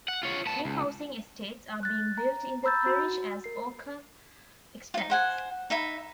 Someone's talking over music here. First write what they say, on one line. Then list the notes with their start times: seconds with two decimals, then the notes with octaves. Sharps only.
New housing estates are being built in the parish as Oakham expands.
0.08 F#5
0.23 F4 C#5
0.46 B3 A5
0.65 C#2
1.83 F#6 A6
2.18 A#5
2.64 A#5 B5 E6 G6 A6
2.86 F#4
3.44 A#4 C7
4.94 D#4 F4
5.10 C5 F#5 G#5
5.70 D#4 E5 B5